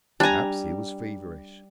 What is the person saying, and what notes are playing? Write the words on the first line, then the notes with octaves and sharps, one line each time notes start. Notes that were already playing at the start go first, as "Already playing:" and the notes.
Perhaps he was feverish.
G3 D4 G#5 A#5